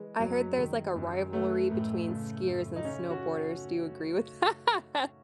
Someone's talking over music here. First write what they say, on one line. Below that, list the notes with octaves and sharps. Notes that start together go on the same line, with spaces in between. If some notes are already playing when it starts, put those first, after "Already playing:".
I heard there's, like, a rivalry between skiers and snowboarders. Do you agree with that?
Already playing: E3 G#3
F#2 F#3
D#3 G#3
F#2
E3 A3
A2
C#3
F#2
D#4
C#3 C#4
F#4